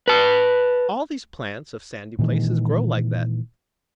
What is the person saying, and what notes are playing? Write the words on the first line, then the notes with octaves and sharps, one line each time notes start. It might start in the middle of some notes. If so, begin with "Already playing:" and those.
All these plants of sandy places grow like that.
B4 A5
A#2 D#3 E3 G#3